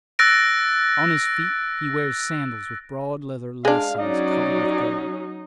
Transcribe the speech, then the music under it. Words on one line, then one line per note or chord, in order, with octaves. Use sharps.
On his feet he wears sandals with broad leather lacings covered with gold.
E6 F#6 A6 A#6 D7
G#3 D4 F5
F#3 C#4 D#4 D5